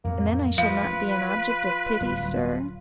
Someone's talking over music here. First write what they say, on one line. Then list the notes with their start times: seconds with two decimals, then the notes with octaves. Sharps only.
"And then I shall not be an object of pity, sir?"
0.04 F2 A2 F#3 A#3
0.58 F3 F4 B4 F5
2.01 D1 F#3 G3